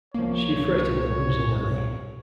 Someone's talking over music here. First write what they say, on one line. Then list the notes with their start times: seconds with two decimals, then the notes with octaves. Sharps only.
She fretted at losing Annie.
0.14 C2 F3 A#3 C#5